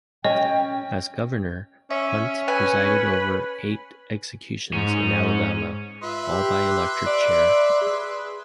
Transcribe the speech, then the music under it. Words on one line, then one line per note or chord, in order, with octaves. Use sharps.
As Governor, Hunt presided over eight executions in Alabama, all by electric chair.
C#4 D#5 G5
C#4 E5
B4 G#5
G#2 C#4
F4 B4 E5 C6
G4
D5
G#4